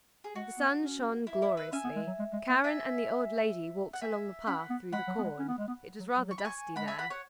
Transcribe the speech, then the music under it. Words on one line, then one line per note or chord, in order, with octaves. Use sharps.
The sun shone gloriously; Karen and the old lady walked along the path through the corn; it was rather dusty there.
G#4
G#3 F#4
B3
C#4
E4
E4
B4 E5
C#4 E5 G#5
B3
G#3
F#3
G#3
G#3
B3
E5 G#5
F#5
E5 G#5
C#4 F#5 B5
B3
G#3 F#5 B5
F#3
B3
G#3
C#4
B3
G#3
B3
F#3
F#3
C#6
B5
G#5 C#6
G#3 F#5 B5
E5 G#5
F#5 B5
C#5 F#5